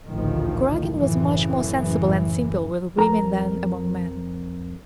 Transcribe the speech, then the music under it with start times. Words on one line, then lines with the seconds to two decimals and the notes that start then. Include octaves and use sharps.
Kuragin was much more sensible and simple with women than among men.
0.10 A1 D2 A#2 D#3 F3
0.92 F#1 F#2 A2 C#3 E3
2.99 F2 A#4 A#5